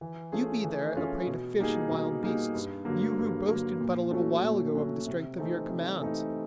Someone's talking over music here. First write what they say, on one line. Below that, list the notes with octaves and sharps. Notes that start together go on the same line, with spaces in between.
You be there, a prey to fish and wild beasts, you who boasted but a little while ago of the strength of your command.
E3
A3 C#4 F4 G#4
E3
A3 C#4 F4 G#4
B2
G3 A#3 D#4 G#4
B2
G3 A#3 D#4 G#4
G2
D3 F#3 A#3
G2
D3 F#3 A#3
A#2
F#3 A3 C#4 F#4
A#2
F#3 A3 C#4 F#4
C3
E3 A3 C4 D#4
C3
E3 A3 C4 D#4